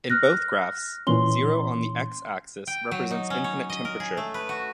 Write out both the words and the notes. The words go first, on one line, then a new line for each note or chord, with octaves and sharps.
In both graphs, zero on the "x"-axis represents infinite temperature.
F6 F#6 A#6
A#2 E3 C#4 C6 G7
G5
F#3
D#4
C#4
C#5
D#5
A#4
G#4
A3
B4
F#4